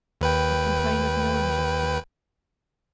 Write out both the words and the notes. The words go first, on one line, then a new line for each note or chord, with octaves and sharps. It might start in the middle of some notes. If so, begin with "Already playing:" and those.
I complain of no injustice.
D#2 B4 G5